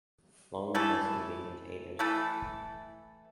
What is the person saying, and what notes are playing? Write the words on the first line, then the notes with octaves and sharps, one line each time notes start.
Loneliness can be contagious.
E3 A3 E4 A4
E3 A3 E4 A4